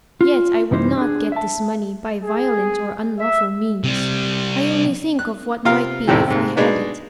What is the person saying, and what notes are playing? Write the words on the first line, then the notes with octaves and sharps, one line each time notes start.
Yet I would not get this money by violent or unlawful means; I only think of what might be if I had it.
F4
C2 F#2 E3 G3 D#4 C5
D4 G#4
E5 A5
G#4
E5
C3 G3
F#6
C3 F4 A#4 F5
A1 E2 A2 C3 D#3 E3
G#2 C3
B2 G#3 D4 D#4 B4